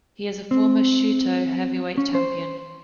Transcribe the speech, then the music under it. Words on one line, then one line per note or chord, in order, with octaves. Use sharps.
He is a former Shooto Heavyweight Champion.
C4
C#4
C5